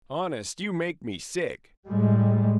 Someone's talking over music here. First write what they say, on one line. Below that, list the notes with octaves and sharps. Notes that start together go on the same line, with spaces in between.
"Honest, you make me sick!"
A2 G3 G#3